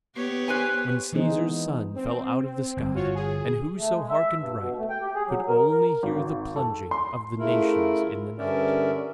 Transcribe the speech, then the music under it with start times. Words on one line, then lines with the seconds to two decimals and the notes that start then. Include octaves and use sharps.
When Caesar's sun fell out of the sky And whoso hearkened right Could only hear the plunging Of the nations in the night.
0.16 B3 G4 C#5
0.48 B4 C5 G#5
1.13 E3 G#3 B3 D#4 G#4 C5
1.95 C4
2.77 G1
2.94 F4 F#4 C#5
3.15 G#4
3.77 A3
3.94 G#3
4.09 E5
4.38 G2
4.59 B2
4.77 A3
4.90 G5
5.02 G4
5.15 G#4
5.28 F#3
5.48 A#4
5.71 A#4
6.03 G#1
6.56 A4
6.91 C6
7.39 C#3 A3 E4 F4 A#4
8.38 G2 D3 C#4 A#4 D5 E5